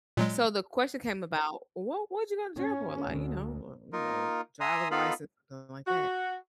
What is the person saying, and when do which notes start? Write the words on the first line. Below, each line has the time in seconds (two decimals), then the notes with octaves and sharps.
So, the question came about, "What what did you go to jail for?" Like, "You know, uh, you know, driver's license, something like that?"
0.17 A#2 F#3 G#3
2.57 C#4
3.07 D2
3.93 A#3 D#4 F4 A#4
4.60 E5 G#5 A#5 C6 D#6
4.91 B3 D#4 F4 A4 F5 B5
5.87 F#4